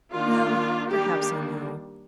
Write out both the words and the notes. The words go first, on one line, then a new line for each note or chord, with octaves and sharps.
Well, perhaps I know.
D#3 A#3 D4 F4
D#3 G3 A#3 D4 G4